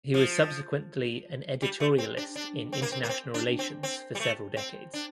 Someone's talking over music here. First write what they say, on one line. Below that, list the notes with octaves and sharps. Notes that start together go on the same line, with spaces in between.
He was subsequently an editorialist in international relations for several decades.
F3
G3
A3
C4
D4
D4
C4
A#3
C4
A#3
C4
D4
C4
C4
G3
A3
C4
D4